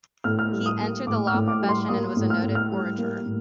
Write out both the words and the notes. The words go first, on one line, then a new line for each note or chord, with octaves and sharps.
He entered the law profession, and was a noted orator.
A2 F6
F6
G3
D#6
A#3
A2 D6
F6
A2
D6
G3
C6
A#3 D#6
A2
F6
A2
F6
G3
A#3
A2